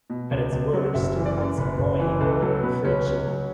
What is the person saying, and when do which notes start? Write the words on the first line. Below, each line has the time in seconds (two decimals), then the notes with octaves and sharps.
At its worst, it's annoying and preachy.
0.10 B2
0.31 C#2
0.52 C#2
0.73 F#3
0.94 F#1 E5
1.16 E3
1.26 D5
1.37 F#2
1.58 F#1 B4
1.79 F#1
2.00 E3
2.21 C#2 A4
2.42 F#3 A4
2.63 B2 B4
2.85 C#2 C#4
3.06 C#2
3.27 F#3